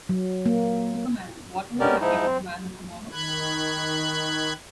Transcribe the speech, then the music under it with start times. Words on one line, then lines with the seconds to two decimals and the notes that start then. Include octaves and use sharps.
Superman: Whatever Happened to the Man of Tomorrow?
0.09 F#3
0.46 A#3
1.80 G#3 B3 C#4 G4 A#4 D5
2.01 G#2 F3 D#4 E4
2.26 C4
3.12 D#3 B5 F#6 G#6